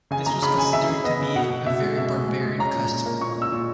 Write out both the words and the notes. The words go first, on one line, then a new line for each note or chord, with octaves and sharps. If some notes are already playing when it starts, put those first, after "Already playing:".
This was considered to be a very 'barbarian' custom.
C#3 G#5
C#3 A#5
C#3 B5
C#3 G#5
C#3 E5
C#3
B3 D#5
C#3
B2 F#5
B2
B2 E5
G#3
B2 E5
G#3
G#3
G#3
C#4 A#5
A#2
A#2
A#3
A#2 C#6
A#2 E6
A#2